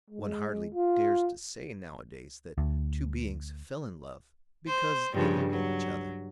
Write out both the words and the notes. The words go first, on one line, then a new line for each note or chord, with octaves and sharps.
One hardly dares to say, nowadays, that two beings fell in love because they looked at each other.
G#3
F4
D2
C5
G2 C#3 F3
F#3